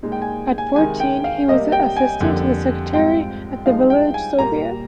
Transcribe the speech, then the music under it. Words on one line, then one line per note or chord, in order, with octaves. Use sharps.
At fourteen he was an assistant to the Secretary at the Village Soviet.
A#2 G#3 D#4
G5
G#5
G#5
C3 D#3 G#3 G#5
G5
F5
C3 G3 A#3 D#5
G5
G#5
F2 D3 G3 A#3
G#2 G3 C4 F4 G5
G2 F3 G#3 D#4 F5
G5
G#5
A#2 G3 A#3 A#5